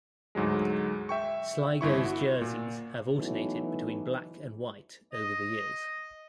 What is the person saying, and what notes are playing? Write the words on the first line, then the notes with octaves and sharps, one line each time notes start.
Sligo's jerseys have alternated between black and white over the years.
D2 G#2 F#3 G#3
E5 G5 C#6
G1 E4 C#6
F#4
A#2
E3 F#3 A3 B3 D#4
D#5